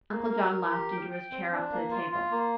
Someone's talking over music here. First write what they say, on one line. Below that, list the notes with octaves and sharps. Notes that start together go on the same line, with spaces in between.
Uncle John laughed and drew his chair up to the table.
A#3
A#4
A#4
G4
G5
G5
C4
D4
A#3
F4
F4
A#3